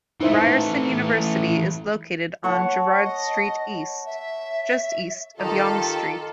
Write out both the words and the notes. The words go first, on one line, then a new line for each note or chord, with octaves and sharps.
Ryerson University is located on Gerrard Street East just east of Yonge Street.
E3 A3 D#4 C5 E5
C#5 F#5 A5
D#5
E5
D#3 F4 G4 A4 D#5 A#5